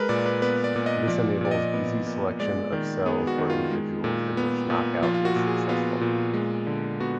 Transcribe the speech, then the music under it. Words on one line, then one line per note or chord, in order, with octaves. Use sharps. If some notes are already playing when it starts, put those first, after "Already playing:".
This enables easy selection of cells or individuals in which knockout was successful.
Already playing: G#3 A#4 B4
A#2 D5
B4
B3 B4
D5
A#2
D#5
F3 D5
A#2 D5
D#5
B3
A#2
G#3 D5
D#3
B3 G#4
F#4
D#3
F4
G#3
A#2
B3
A#2
F3 F4
F4
F#4
A#2
G#4
B3 F4
A#2
G#3
D3
B3 F#4